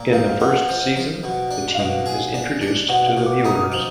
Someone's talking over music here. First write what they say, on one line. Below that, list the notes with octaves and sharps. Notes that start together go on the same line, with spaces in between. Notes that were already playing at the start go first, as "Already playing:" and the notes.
In the first season, the team is introduced to the viewers.
Already playing: A#2
F3 F5
B3 D#5
F3
F3
B2
D4
F5
B2 D#5
G#4
D4
D4
B2 F#5
F5
B2
D6
D#4 D#6
D#6
F6
F3